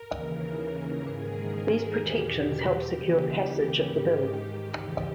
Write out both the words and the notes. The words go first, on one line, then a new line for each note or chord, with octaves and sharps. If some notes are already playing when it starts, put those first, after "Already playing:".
These protections helped secure passage of the bill.
Already playing: A#4
D#2 C#3 E3
G#2 D#3 G#4
A#4
G#4
E2 B2 G4
D#2 C#3 E3
G#2 D#3 G4
E2 C#3 E3